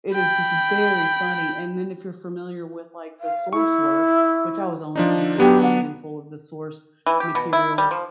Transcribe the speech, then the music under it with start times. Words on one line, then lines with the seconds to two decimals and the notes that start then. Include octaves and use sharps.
it is just very funny. And then if you're familiar with the source work, which I was only familiar with a handful of the source material
0.15 G5 B5
3.20 F5
3.53 E4 C#6
4.96 F3 D4 D#4
5.38 F#3 B3 D4 G4
5.63 F#5
7.06 E3
7.20 G4
7.35 B2
7.53 E4
7.78 G3
7.91 F3